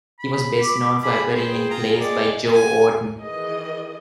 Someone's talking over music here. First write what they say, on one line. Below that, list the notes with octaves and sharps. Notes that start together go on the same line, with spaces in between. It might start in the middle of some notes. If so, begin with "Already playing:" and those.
He was best known for appearing in plays by Joe Orton.
B5
D6
G#4 B5
G#4 B4 C5 G5
F4 A#5
G#3 D5
G#5
D#3 E3 G#4 D#5